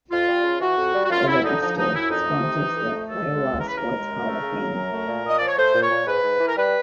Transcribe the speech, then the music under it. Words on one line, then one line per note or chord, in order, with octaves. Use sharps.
The "Register" sponsors the Iowa Sports Hall of Fame.
F2 F4
G3
C#3
E3 F#4
F2
G3
F#4
F#2 F4
F#2 E4
D3 D#4
F3 D#4
F#2 D#4
F#2 E4
F2 D#4
A3
C3
E3
F2
A3
D#2 A4
G#3
C#3
E3 A#4
B4
D#2 A#4
G#3
F#2
A3
C#3
F#3
F#2
A3
A#2
A#2 D#5
F3 D5
C#5
A3 C5
A#2
C#5
A#2
G#2 B4
G#2
E3
A#4
G3 B4